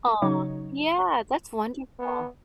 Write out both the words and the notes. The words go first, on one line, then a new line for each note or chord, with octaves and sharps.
Aw, yeah, that's wonderful.
C#3 F#3 D#4 C#5
B3